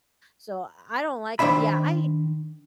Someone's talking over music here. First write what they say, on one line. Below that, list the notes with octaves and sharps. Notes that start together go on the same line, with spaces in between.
So I don't like tha yeah, I
D#3 D4 C5 E5 B5